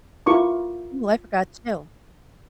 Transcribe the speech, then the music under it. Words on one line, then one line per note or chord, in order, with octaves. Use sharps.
Ooh, I forgot too.
E4 F4 A#4 C#6 D6